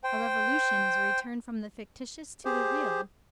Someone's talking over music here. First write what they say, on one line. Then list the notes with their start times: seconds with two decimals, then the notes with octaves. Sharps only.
A revolution is a return from the fictitious to the real.
0.04 C5 G5
2.45 G4 G#4 C5